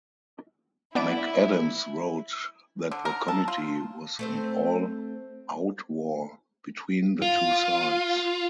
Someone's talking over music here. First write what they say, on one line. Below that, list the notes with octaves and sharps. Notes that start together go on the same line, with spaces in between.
McAdams wrote that the committee was "an all-out war" between the two sides.
B3 D4 E4 D7
D3
A#4
A4
F4
A3 C4 C5
F4